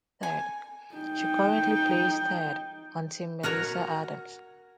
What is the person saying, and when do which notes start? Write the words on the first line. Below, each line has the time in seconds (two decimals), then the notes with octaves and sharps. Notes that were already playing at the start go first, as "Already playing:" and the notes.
She currently plays third on Team Melissa Adams.
0.23 G#5
0.95 D#4 G5
3.43 F#4 A#4 C#5 A#5